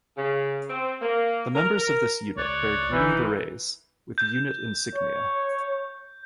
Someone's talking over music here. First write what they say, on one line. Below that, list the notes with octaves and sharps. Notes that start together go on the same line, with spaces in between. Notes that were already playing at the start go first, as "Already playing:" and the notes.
The members of this unit wear green berets with unit insignia.
C#3
C4
A#3
A#4
A#4
C#2 C#5 D5 F#6 A6
F#1 E3 D#4
G6
C#5